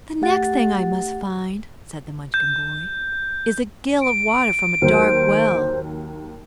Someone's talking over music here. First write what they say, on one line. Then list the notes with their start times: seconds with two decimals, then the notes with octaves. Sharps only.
"The next thing I must find," said the Munchkin boy, "is a gill of water from a dark well."
0.21 A3 G4 F#5 A6
2.34 G6
4.02 D7
4.82 D#2 F#3 C5